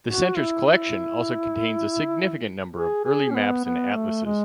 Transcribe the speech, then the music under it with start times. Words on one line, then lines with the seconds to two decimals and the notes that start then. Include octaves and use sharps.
The Center's collection also contains a significant number of early maps and atlases.
0.08 F#4
0.37 E4
0.67 E4
2.76 G#4
3.04 G#4
3.30 C#4
3.34 B3
3.65 B3
3.94 A3
4.25 G#3